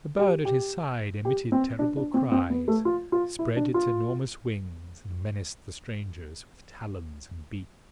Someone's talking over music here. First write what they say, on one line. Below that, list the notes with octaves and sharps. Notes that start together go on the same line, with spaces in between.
The bird at his side emitted terrible cries, spread its enormous wings, and menaced the strangers with talons and beak.
G4
G4
G4
C4
D4
D4
C4
C4
B3
A3
F4
F4
E4
D4
F4